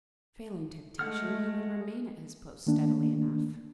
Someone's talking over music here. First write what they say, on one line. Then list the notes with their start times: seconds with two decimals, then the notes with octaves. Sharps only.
Failing temptation, he would remain at his post steadily enough.
0.99 G#3 A3 F#5 F6
2.67 D#3 A3 A#3 D4